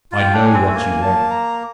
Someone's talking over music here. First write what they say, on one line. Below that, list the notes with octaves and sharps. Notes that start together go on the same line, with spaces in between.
"I know what you want."
F4
G5
D4
G#5
C4
A3
A#3 G#5
A5
A#5